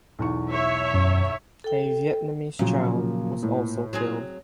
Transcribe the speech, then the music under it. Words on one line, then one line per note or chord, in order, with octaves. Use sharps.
A Vietnamese child was also killed.
B1 E2 C#6
C#5 E5
F#2
A4 G5
A#2 C#3 F3 F#3
A2
F#3 C4 G#4